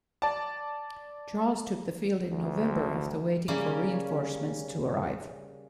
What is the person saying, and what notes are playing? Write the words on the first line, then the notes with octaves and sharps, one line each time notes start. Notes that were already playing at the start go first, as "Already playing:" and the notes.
Charles took the field in November after waiting for reinforcements to arrive.
D5 A5
D2
C#3 G3 A#3 C#4